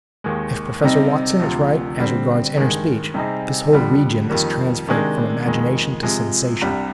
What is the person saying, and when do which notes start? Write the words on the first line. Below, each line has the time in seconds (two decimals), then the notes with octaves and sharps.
If Professor Watson is right as regards inner speech, this whole region is transferred from imagination to sensation.
0.24 D#2 D#3 G#3
0.83 C3 G3 C4 D#4
1.40 D2 C3 F3
1.99 D3 G3 C4
2.56 G2 D#3 G#3
3.14 C3 G3 C4 D#4 G#4
3.72 F2 D3 G3
4.29 F2 D#3 G3 A#3
4.88 C3 D#3 G#3 D4
5.46 F2 D#3 G#3
6.03 C3 F3 G#3
6.61 C2 C3 G3 D4